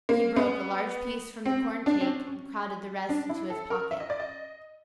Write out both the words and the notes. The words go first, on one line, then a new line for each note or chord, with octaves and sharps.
He broke a large piece from the corn-cake and crowded the rest into his pocket.
A#3
B3
C4
D4
C4
C#4
C#4
D4
E4
A4
A#4
E5
D#5
D5
D#5